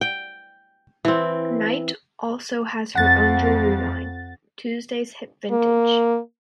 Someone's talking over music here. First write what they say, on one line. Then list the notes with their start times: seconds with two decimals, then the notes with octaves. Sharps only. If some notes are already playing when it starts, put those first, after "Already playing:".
Knight also has her own jewelry line "Tuesday's Hip Vintage".
0.01 G5
1.05 E3 C4
2.95 F2 F#5 A6
5.51 A#3